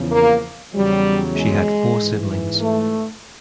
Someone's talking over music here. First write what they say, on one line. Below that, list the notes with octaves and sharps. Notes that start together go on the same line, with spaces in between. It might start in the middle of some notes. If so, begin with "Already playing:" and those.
She had four siblings.
Already playing: E2 C#3 F3
A#3
E2 C#3 F#3 G3
G#3
G#2 E3
A3